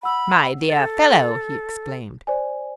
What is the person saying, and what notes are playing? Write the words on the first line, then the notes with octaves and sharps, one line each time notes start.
"My dear fellow!" he exclaimed.
F#5 B5 E6
A4 A6
C5 D5 G#5